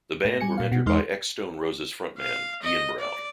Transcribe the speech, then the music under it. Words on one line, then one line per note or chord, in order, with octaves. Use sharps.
The band were mentored by ex-Stone Roses frontman Ian Brown.
A2 A#6
G3 G#5 C#7
A#2 F5
B2
E2 G#3 D#4 C6 F6
F5
D#5
D5